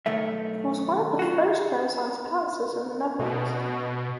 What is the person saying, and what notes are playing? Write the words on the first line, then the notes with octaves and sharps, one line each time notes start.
It was one of the first Renaissance palaces in the Netherlands.
B1 D#3 A3 E5
F4 F#4
B2